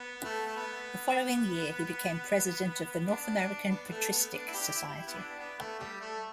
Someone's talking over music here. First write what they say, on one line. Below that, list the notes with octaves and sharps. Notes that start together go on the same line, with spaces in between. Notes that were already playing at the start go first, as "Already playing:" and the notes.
The following year, he became president of the North American Patristic Society.
Already playing: B3
A3
A3
B3
D4
B3
A3
B3
D4
E4
G4
E4
G4
E4
B3
D4
B3
A3
G3
A3